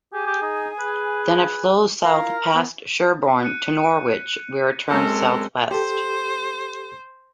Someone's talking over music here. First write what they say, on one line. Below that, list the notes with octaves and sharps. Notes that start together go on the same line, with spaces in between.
Then it flows south past Sherburne to Norwich, where it turns southwest.
G4 G#4 G#5
G4
D#4
B4
E4 F4 A#4 F5
B3 C5
F#6 C#7 D#7
F#2 G#3 C4 A4 A#4
G4 A4 C5